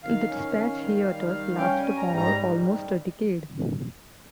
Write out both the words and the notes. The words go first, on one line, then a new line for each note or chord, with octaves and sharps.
The Dispatch hiatus lasted almost a decade.
D#3 F5
C#4
D#3
G3
D#3
G3
C#4 G5
G#5
G3
A#5
G#2
A#5
G3
D#3